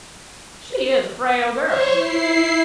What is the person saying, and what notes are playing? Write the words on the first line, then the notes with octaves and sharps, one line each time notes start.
She is a frail girl.
C5 C#5 C#6
E4 C7